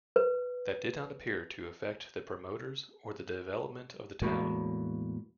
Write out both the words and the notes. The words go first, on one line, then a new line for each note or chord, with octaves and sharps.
That did not appear to affect the promoters or the development of the town.
B4
E2 A2 G#3 A#3 F#4 B5